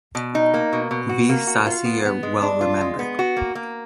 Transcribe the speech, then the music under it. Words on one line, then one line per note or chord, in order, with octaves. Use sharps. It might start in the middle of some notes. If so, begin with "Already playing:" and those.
V. Sasi are well remembered.
B2
D#4
A#3
B2
B2
F#4
A#3
F#4
F4
B3
B3
G#3
D4
F4
G#3
B3
F#4
A#3
A#3